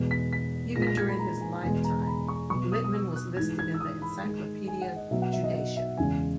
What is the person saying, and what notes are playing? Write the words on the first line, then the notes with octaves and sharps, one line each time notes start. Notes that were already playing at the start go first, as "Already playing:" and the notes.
Even during his lifetime, Littmann was listed in the Encyclopaedia Judaica.
Already playing: E2 B2 G#3
B6
B6
A#2 G#3 A#6
B6
A#6
G#6
B5
A#5
G#5
E2 B2 G#3 G#5
A#5
A#5
B5
C#6
B2 F#3 C#6
D#6
D#6
E6
F#6
G#2 E3 G#3 G#6
G#6
E6
D#6
B5
G#2 D#3 G#3
G#5
F#5
D#5
B2 F#3 E5
F#5
E5
D#5
D#5
E5
E2 C#3 G#3 G#5